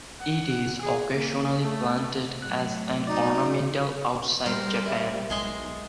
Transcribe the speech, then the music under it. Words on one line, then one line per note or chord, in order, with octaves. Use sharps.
It is occasionally planted as an ornamental outside Japan.
F#5
G#4
A#3
A3
A2 F#3 F#6
D#4 F#4 D5
G3 A#4 C5
E4
B1 G#3 G#4 C6